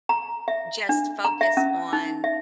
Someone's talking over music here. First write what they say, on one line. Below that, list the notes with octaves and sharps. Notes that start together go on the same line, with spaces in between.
just focus on
A#5
E5
D4
A#5
E5
C#4
D#4
E5